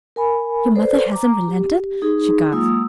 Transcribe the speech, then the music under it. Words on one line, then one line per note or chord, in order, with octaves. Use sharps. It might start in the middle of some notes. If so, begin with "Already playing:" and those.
"Your mother hasn't relented?" she gasped.
A#4 G#5 B5
A4 B4 C5 D5
A#5 D6
G4
D#4 G#4
F#3 G#3 A#3 F4 D#6 E6